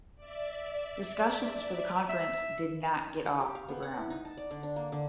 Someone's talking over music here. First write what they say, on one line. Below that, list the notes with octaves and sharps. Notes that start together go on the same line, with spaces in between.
Discussions for the Conference did not get off the ground.
D5 E5
E5
G4
F5
B3
F#5
E4
D#4
A5
D5
D3
D4
A#3
D3